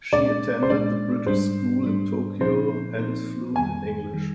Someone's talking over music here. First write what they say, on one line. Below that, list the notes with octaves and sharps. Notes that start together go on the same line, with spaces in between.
She attended The British School in Tokyo and is fluent in English.
A#2 G#3 D4 D5
C5
A#2 G#3 D4 D5
G#2 G3 D4 C5
G#2 G3 D4
A#2 F3 C4 D#4 C5
A#2 F3 C4 D#4
F2 D#3 G3 G#5
D#3 G3